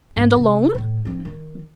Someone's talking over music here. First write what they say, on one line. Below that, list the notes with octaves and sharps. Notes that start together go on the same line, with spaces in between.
"And alone?"
G#2
C3
A2
F3 C4
D#3